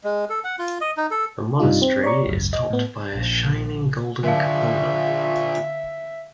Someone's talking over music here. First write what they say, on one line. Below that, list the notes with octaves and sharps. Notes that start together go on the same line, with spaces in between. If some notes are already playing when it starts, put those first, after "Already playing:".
The monastery is topped by a shining golden cupola.
G#3
A4
F#5
F4
D#5
D#4
A4
G2 C3 G3 D#4 F4
C4
C#5 D5 A#5 C#6
G#1 C#2 F#2
D#5
A2 B3
A#1
A#2 D3 D4 E5 F5